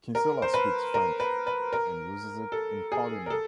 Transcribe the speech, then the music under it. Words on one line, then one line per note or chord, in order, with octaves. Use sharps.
Kinsella speaks French, and uses it in parliament.
A#4
C5
B4
A#4
B4
B4
A#4
A4
G#4
A#4
A4